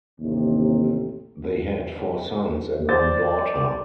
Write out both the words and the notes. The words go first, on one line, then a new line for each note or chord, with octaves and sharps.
They had four sons and one daughter.
A1 D#2 C3
C5 D5 A6